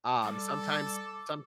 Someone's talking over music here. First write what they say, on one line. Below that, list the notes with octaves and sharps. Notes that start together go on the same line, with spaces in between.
um, sometimes some
G3 A4 D6